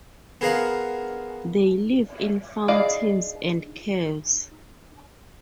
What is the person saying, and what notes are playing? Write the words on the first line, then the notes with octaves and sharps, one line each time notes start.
They live in fountains and caves.
B3 G#4 A#4 C5 F5 F#5
E4 G#4 D5 D#5 F5